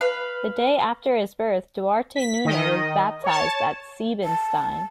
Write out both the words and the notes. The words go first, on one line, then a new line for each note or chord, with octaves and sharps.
The day after his birth, Duarte Nuno was baptised at Seebenstein.
B4 F5
B6
D#3 D#5
C#5 A5
A5